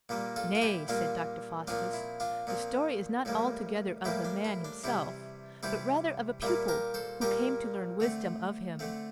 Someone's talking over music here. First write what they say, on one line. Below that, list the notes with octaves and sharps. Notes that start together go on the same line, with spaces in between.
"Nay," said Dr. Faustus, "the story is not altogether of the man himself, but rather of a pupil who came to learn wisdom of him."
A#2 G3 A#3
F4 A4
F4
E4 G4
A#2 G3 A#3 D4 F4
A#2 F3 C4 D4 F4
E4
D4 F4
A#2 F3 C4
A2 E3 G3 A#3
A2 E3 G3 A#3 E4 G4
D4
E4
D4
C3 E3 G3 C4 E4
C3 E3 G3 C4 E4 G4
A#2 G3 A#3 E4 G4
G4 A#4
A4 C5
A#2 G3 A#3 G4 A#4
D3 A3 C4
D3 A3 C4